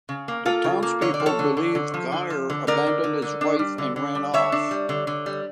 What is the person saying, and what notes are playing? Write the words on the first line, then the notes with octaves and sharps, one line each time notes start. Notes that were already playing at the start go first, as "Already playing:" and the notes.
The townspeople believe Geir abandoned his wife and ran off.
C#3
A#3
A#3 F4 A4
C#3
A#3
D3 C#5
D5
F3
A4 C#5
D3
D3
D3
F3
D3
F3
D3
D3 A#4 D5
D3
D3
D3
D4
G3
D3
D3
G3
D3 C#5 E5
D4
G3
D3
D3
G3